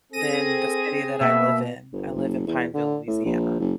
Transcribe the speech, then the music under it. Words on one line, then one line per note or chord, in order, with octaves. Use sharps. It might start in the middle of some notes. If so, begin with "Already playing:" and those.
than the city that I live in, I live in Pineville, Louisiana.
C4 G#4 A4 A#6 D#7
B2 A#3 E5
G1
F#1
E2
D3
A2
A#1
F#1